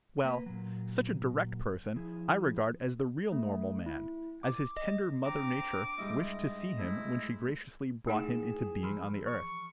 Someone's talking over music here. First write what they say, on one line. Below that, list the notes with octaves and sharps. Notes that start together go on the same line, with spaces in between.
Well, such a direct person I regard as the real normal man, as his tender mother nature wished to see him when she graciously brought him into being on the earth.
A#3 B4
A#2 F#3
F3 E4 G#4
A3
E4
D6
D#5
C4 D4 A#5 D6
G#2 G3 E4 D#5
G#2 A3 E4
A3 D#4 E4 G#4 F#5 G5
E3 F3 B5
C#6